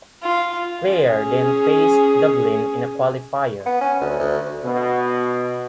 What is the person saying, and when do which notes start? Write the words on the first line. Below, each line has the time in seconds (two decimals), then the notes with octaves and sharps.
Clare then faced Dublin in a Qualifier.
0.23 F4
0.89 C#4 G#4
3.66 B3
3.81 C#4
4.00 D2
4.19 D2
4.64 B2